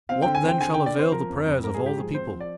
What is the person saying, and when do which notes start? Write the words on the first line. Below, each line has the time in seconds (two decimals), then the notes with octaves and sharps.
What, then, shall avail the prayers of All the People?
0.09 C4 F5
0.22 D3 G5
0.35 G#5
0.43 C4
0.48 G5
0.61 D3 G#5
0.74 D3 G5
0.86 D5
0.95 C4 C5
1.12 F3 A#4
1.30 F2
1.46 F2
1.63 G#2 A#4
1.74 G#4
1.80 G#2
1.86 G4
1.97 F3 G#4
2.14 C4 C5
2.33 F3
2.40 D5